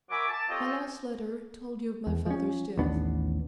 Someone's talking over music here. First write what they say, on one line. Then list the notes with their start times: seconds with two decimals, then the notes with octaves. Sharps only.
My last letter told you of my father's death.
0.10 F#4 A#4 E5 G#5 B5 D6
0.29 A5
0.49 C4 F4 G4 A4 C#5 D#5
2.07 E2
2.26 F3 C#4
2.78 A1 D#2 B3 D4